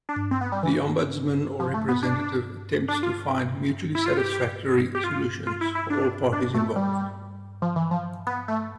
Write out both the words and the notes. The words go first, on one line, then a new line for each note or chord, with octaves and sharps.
The ombudsman or representative attempts to find mutually satisfactory solutions for all parties involved.
D4
C4
B3
G3
E3
F3
A3
B3
D4
D4
F4
E4
F4
G4
G4
F4
F4
E4
E4
D4
D4
A3
G3
F3
E3
F3
B3
A3